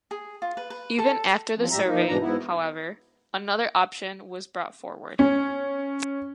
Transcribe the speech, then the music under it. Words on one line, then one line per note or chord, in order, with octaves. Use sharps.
Even after the survey, however, another option was brought forward.
G#4
F4
B4
B4
A4
E2 F3 C4
A2 G3 G4 E5 A#5
F3 A#3 D#4
G#2 B2 E3 D4 A#5
G#2 B3 E4
C#4